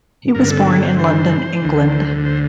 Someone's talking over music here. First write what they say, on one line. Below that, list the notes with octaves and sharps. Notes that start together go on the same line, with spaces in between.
He was born in London, England.
G2 D3 A#4
A4
A4
C5
C5
D2 D3
C5